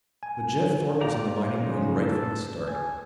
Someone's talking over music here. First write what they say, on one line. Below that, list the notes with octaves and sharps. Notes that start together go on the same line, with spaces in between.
But Jeff Thorpe was in the mining boom right from the start.
G#5
F4 G4 D5 A#5
C#3 F3 F#3 G#3 D#4
A4
G#5